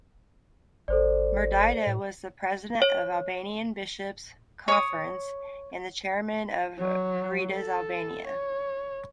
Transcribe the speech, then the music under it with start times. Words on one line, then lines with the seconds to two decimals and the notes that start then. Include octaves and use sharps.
Mirdita was the President of Albanian Bishops Conference and the Chairman of "Caritas Albania".
0.88 G#1 A4 C5 D5
1.87 A2
2.82 C#5
4.68 C#5 D#6
6.79 F#3
7.53 A4
8.27 C#5